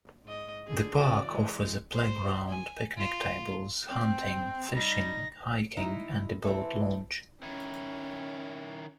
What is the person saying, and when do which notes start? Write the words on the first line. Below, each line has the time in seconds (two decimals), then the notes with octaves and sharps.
The park offers a playground, picnic tables, hunting, fishing, hiking and a boat launch.
0.25 G#2 D#5
0.67 D3 G#4
0.98 C#4 F#4 D5
1.27 E3 G#3
1.94 C5
2.49 G#5
2.97 F4
3.89 C4 G5
4.74 G3 D#4 A#6
5.77 C3 D#4 E4
6.44 E3 C4 A4
7.43 D#3 C#4 E4